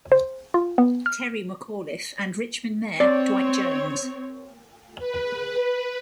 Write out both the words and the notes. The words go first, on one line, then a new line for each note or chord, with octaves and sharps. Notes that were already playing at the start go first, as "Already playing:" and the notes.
Terry McAuliffe and Richmond Mayor Dwight Jones.
C5
F4
B3
F6
C4 C#5 D5
B4